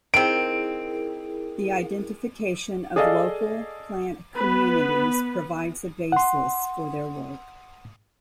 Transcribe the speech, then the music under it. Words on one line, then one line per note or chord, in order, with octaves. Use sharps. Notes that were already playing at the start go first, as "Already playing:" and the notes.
The identification of local plant communities provides a basis for their work.
D#3 C4 E4 G#4 A#4 D7
G#4 A4 D5 D#5 F5
B3 B4
F#5 C6